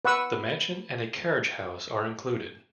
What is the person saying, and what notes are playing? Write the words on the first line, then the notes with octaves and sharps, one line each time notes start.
The mansion and a carriage house are included.
B4 F#5 C#6 E6